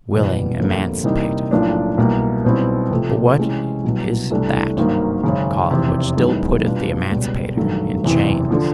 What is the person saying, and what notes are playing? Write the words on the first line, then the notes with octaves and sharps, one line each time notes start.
Willing emancipateth: but what is that called which still putteth the emancipator in chains?
E2 B2 G3 B3
G1 F2 D3 G3 A#3
C3 E3 G3 A#3 D#4
B1 A2 F3 A#3 D4
C2 B2 F#3 A#3
B1 B2 G3 C4 E4
C3 F3 A3
C3 E3 G#3 C#4
C2 B2 F#3
C2 C3 E3 A3 D4
G#1 G2 D#3 F#3 A#3
G#1 F#2 C#3
F1 E2 C3
F#2 D#3 G#3 B3 E4
B2 G3 B3 D4 F4
C#2 B2 G3
A1 G2 D#3 F#3 A3
F#1 E2 C3 E3
D3 F3